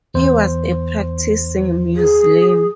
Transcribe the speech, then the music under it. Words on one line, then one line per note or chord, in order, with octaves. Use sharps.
He was a practicing Muslim.
E2 C5
G#4